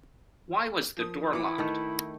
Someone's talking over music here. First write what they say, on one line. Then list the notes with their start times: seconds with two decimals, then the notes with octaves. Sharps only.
Why was the door locked?
0.97 F3 A#3 D#6
1.33 E3 E4 D6 C#7
1.58 D#3 A3 D#5